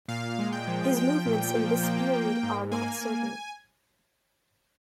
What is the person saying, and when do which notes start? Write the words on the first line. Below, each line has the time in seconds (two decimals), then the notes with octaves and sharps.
His movements in this period are not certain.
0.08 A#2 F5
0.39 G#3
0.53 G5
0.68 F3
0.97 F3 G5
1.26 A#2
1.55 F3
1.83 A#3
2.13 A#3
2.43 G#2
2.71 A#3 G#5
3.01 A#3